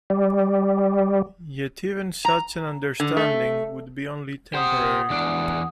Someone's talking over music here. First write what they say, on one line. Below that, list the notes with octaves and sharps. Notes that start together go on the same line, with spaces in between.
Yet even such an understanding would be only temporary.
G3
A#5
D3
A3
G4 C5 F#5 D#6
E2 D4